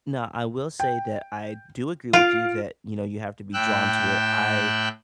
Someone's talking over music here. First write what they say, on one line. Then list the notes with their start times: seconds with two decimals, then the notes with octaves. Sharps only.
No. I will say that I do agree with you that, you know, you have to be drawn to it. I
0.80 G5
2.13 F4 F5 D7
3.53 A2 G5 E6 F#6